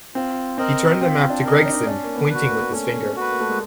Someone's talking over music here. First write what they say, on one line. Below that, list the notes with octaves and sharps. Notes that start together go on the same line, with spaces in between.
He turned the map to Gregson, pointing with his finger.
C4 F4
C4 A#4 D#5
C4 F4
D4
A#4 D#5
D#4
D4
D#4
C#4 D4
A#3
B3
F#4 B4
A#3
A3 C#4
F#4 B4
A#3
A3
G#3